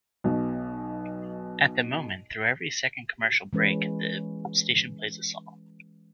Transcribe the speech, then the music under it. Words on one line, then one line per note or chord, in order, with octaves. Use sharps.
At the moment through every second commercial break the station plays a song.
B1 B2
E3 G#3 C#4 B4